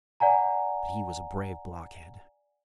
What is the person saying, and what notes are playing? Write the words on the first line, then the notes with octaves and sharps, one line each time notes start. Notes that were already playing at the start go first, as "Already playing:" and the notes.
But he was a brave blockhead.
D5 F#5 G#5 A#5